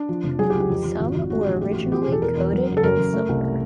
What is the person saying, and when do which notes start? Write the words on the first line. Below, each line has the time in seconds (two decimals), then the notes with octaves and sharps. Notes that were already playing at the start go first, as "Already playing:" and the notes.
Some were originally coated in silver.
Already playing: D4
0.09 F3
0.24 F1
0.39 F#3 G#4
0.50 G4
0.54 C#2
0.60 G4
0.69 F2
0.85 F2
1.00 G#1 F#4
1.15 G#1
1.30 G#3 F#4
1.41 G4
1.46 A#1 F#4
1.61 A3 G4
1.71 A1 F#4
1.92 F3 G4
2.02 G#4
2.07 E1
2.12 A4
2.22 E2 A#4
2.37 E2
2.53 F#3
2.69 F#1
2.77 A4
2.83 F#2 A#4
2.98 F#2
3.14 A3
3.29 C2